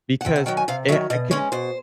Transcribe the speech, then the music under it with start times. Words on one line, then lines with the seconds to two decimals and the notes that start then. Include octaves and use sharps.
because, eh I could it
0.21 F#5
0.25 C3 G5
0.36 F#5
0.46 D#3 F#3 G5
0.57 G#5
0.68 C3 F5
0.88 F#3 E5
0.92 D#3
1.10 B2 D#5
1.31 G#3 C#4 C#5
1.52 B2 C5